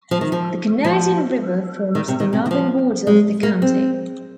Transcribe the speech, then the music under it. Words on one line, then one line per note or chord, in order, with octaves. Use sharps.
The Canadian River forms the northern border of the county.
F3
D#3
F3
F3
D#3
C3
D#3
C3
D#3
F3
G#3
A#3
C4